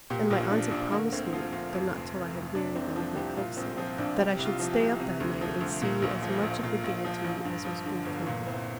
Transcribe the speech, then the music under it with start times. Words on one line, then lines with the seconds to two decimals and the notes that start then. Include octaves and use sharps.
And my aunts had promised me--though not till I had wearied them of my coaxing--that I should stay up that night and see as much of the gaiety as was good for me.
0.10 A#2 G4
0.31 A#1 F4
0.50 F3 D4
0.71 A#1 D4
0.92 D3 A#3
1.12 D2 C4
1.33 F3 F4
1.53 D2 F4
1.74 F2
1.94 F1
2.14 C3
2.34 F1
2.55 C3 D4
2.75 C2 C4
2.96 F3 D4
3.16 C2 G4
3.37 A#2 F4
3.57 A#1 C4
3.77 F3 C4
3.98 A#1 D4
4.19 C3 G4
4.39 C2
4.46 F4
4.60 F3
4.73 G4
4.80 C2
5.00 C3
5.20 D2
5.41 F3
5.61 D2
5.82 A#2
6.02 A#1
6.22 F3
6.43 A#1
6.63 A#2 F4
6.84 A#1
7.05 F3
7.24 A#1
7.45 G2
7.65 F3
7.86 D3
8.06 G1
8.27 A#2
8.46 C2 C4